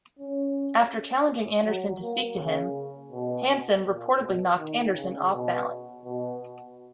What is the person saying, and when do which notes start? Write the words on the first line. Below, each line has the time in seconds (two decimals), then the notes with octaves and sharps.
After challenging Anderson to speak to him, Hansen reportedly knocked Anderson off-balance.
0.19 C#4
1.65 F#3
2.02 A#3
2.38 C#3
3.12 B2
3.85 A#2
4.21 B2
4.58 D#3
4.95 C#3
5.31 B2
6.05 B2